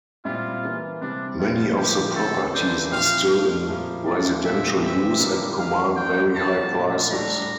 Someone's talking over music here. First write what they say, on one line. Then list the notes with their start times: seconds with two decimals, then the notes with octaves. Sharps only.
Many of the properties are still in residential use and command very high prices.
0.25 A#2 G3 C4 E4 F4
0.63 E3 A#3 E4
1.01 C3 G3 C4 D4 E4
1.39 C3 F3 C4 E4 F4
1.77 D3 F3 A#3 G4
2.16 D3 A3 C4 A4
2.54 E3 A#3 D4 C5
2.91 A#2 F3 C4 E4 F5
3.30 F3 A3 E4 F5
3.68 A#2 F3 A#3 E4
4.06 F3 A3 C4 E4 D5
4.44 A#2 F3 A3 C4 E5
4.82 E3 G3 C4 E5
5.20 D3 G3 A#3 D4
5.58 E3 A#3 E4 F5
5.96 F3 A3 D4 G5
6.34 F3 C4 E4 A5
6.73 A#2 F3 A3 D4
7.11 A2 G3 D4 A#5